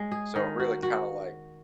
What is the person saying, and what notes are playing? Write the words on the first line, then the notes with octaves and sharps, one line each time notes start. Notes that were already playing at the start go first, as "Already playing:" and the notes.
So it really kind of like,
Already playing: G#3
G#4
D#3
F#4
F#4